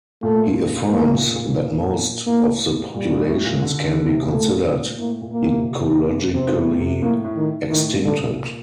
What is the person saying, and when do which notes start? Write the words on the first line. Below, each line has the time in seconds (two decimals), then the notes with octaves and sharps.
He affirms that most of the populations can be considered ecologically extincted.
0.23 A#2 A3
0.91 A2 A#3
1.13 A#2
1.36 A#2
2.26 A2 A#3
2.94 A#2 G3
3.11 A#2
3.28 A2
3.45 A#2
3.62 D3
3.85 D3
4.08 C3
4.30 A#2 A3
4.98 A2 A#3
5.21 A#2
5.32 A#3
5.44 D3
5.53 C3
5.62 A#2
5.71 C3
6.34 C3 C4
6.57 A2
6.80 C3
7.02 A2 A#3
7.25 A2
7.36 D#3
7.70 A2 D#3
7.93 A#2
8.04 D3
8.16 C3
8.39 A#2